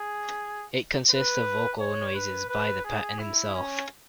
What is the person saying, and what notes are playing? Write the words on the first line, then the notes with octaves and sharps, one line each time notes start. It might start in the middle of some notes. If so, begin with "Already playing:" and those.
It consists of vocal noises by Patton himself.
Already playing: G#4
B4
C#5
B4
B4
G#4
E4
C#4